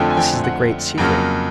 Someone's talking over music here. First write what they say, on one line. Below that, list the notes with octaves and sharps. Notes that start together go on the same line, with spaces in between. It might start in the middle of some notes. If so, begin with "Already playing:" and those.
This is the great secret.
Already playing: F2 D3 F3 A3 C4 G5
G#5
G5
F#5
F2 C#3 F#3 A#3